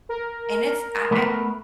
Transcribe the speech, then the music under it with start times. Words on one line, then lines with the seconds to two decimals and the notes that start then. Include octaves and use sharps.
And it's I I
0.09 A#4
1.11 A3 B3 B4